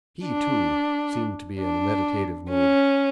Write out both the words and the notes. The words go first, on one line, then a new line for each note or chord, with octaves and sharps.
He, too, seemed to be in a meditative mood.
D4
D4
C#4